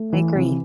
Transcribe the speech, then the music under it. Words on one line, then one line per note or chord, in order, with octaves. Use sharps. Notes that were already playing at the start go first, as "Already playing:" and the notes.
I agree.
Already playing: A3
E3
C3